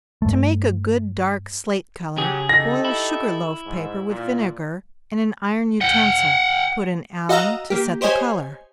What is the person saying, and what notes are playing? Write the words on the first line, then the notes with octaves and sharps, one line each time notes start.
To make a good dark slate color, boil sugar-loaf paper with vinegar, in an iron utensil--put in alum to set the color.
G2 A3
C#3 F#3 G4 G#4
D#4 G4 A4 A#6
E4
G#2
A#2
F#5 G5
F#4 D#5 F5 F#5 A#5 E6
A#3 G4
G4 C5 C#5 D#5 G#5